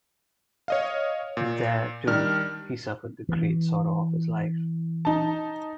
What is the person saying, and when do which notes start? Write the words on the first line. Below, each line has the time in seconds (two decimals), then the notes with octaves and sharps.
There, too, he suffered the great sorrow of his life.
0.68 C#5 D#5 F5
1.37 A#2
2.07 D#3 G3 D4 F6
3.29 E3
5.05 D#4 A5